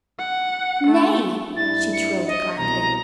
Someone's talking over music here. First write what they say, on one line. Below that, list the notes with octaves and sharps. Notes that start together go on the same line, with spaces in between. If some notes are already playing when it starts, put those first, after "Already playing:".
"Nay!" she trilled gladly.
F#5
A3
G2 D4 E4 A6
C#7
D#5
C2 B2 E3 A#5